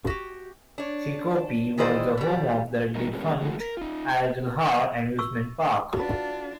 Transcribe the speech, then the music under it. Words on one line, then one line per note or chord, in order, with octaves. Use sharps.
Chicopee was the home of the defunct Idlehour amusement park.
F#4 G4
D4 C#5
D#3 E3 G#3 C5 D5
B2 G3
E3 G3 D#4 A#4 D#5
D3 G3 G#3 A#3 B3 C#4
A2 F3 G#3 F#4
A#4
D#4 F4
C#6 E6
D4 F4 F#4 B4 A5